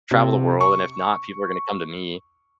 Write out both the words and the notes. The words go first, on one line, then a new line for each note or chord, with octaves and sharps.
travel the world, and if not, people are gonna come to me,
C3
C#6